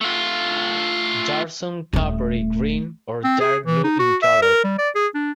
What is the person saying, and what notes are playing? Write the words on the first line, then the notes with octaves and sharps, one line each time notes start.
Dorsum coppery green or dark blue in color.
A3 F4
D#1 A3
C4
G#4
E3
D#4
F#4
E5
A#4
G3
D5
G#4
D4